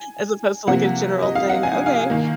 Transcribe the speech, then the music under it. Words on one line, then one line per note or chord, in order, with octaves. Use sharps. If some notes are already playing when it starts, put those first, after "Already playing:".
as opposed to, like, a general thing. Okay,
Already playing: G#5
C3 F3 A#3 F#5
D#5
F5
F#5
G#5
F5
D#3 A#3